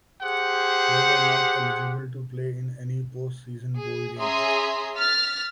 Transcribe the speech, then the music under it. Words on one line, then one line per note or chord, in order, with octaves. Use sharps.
They were not eligible to play in any post season bowl game.
G4 G#4 C5 F#5
G#4
C#4 G#4 E5 A#5 C6 D#6
F6 A6 B6